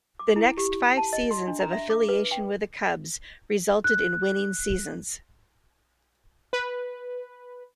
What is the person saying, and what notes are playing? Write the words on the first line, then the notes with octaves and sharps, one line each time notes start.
The next five seasons of affiliation with the Cubs resulted in winning seasons.
D6
E4
G4
A5
D#5
C6
D4
A#5
E5
D6
B4
G5
F#6
B4